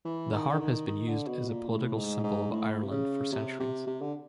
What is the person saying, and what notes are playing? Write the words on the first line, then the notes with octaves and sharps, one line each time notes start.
The harp has been used as a political symbol of Ireland for centuries.
E3
D#3
D3
D#3
D#3
D3
B2
A#2
A2
G#2
G#2
A2
C3
C#3
C3
C3
C3
D3